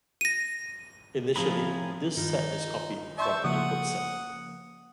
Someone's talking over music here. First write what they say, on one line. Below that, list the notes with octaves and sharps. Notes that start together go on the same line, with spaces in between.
Initially, this set is copied from the input set.
A#6 D#7
A2 F3 C4 G#4 A#4 A#5 B5
G2 D#3 D#4 F4
D5 E5 A5 C6 C#6 G6
C#3 F3 A#3 F#5 D#6